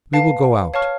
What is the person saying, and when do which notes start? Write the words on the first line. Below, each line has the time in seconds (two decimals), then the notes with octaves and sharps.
We will go out.
0.13 B4 F5 A5
0.74 C#5 F5 A5 C#6 F6